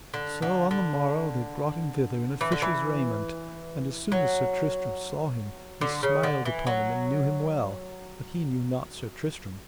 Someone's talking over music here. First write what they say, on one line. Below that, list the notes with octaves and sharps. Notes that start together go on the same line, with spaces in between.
So on the morrow they brought him thither in a fisher's raiment; and as soon as Sir Tristram saw him he smiled upon him and knew him well, but he knew not Sir Tristram.
D3
D3
D3
E3
D3
E3
F#3
D3
C#3
D3
E3
F#3